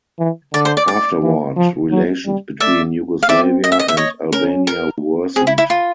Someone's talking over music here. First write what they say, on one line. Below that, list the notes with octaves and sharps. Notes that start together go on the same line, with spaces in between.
Afterward, relations between Yugoslavia and Albania worsened.
E3
D3 D5
C5
D5
D5
E3
F3
F#3
G3
A3 D5 E5
F5
C4 D5 E5
D#5
E5
D#5
E5
C#5 D#5
C#4 A#4
A#4
C4 G#4
E4
E4
F4